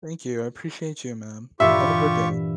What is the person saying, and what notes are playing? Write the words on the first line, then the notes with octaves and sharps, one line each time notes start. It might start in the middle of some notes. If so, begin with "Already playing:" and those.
Thank you, I appreciate you, ma'am. Have a good day.
G2 A#2 E3 F4 G4 E5 C#6